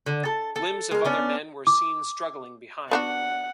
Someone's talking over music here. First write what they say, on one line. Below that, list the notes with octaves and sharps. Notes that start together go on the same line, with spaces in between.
Limbs of other men were seen struggling behind.
D3
A4 A5
A4
G#3 A#4
B3 C#4 D4
D6
B3 D4 F#4 F#5